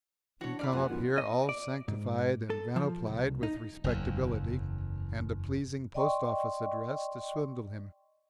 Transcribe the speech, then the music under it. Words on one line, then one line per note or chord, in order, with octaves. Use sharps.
You come up here all sanctified and vanoplied with respectability and a pleasing post office address to swindle him.
C#3 E3 D4 F#4 C#5
D5 F5 B5
F#2 F3 A3 B3 G4 F#5 G#5
F#2 B2 D#3 F4
D#5
D5
G#2
A4
F3
C2
D#4
F#1 E2
D5 D#5 G5 C6 C#6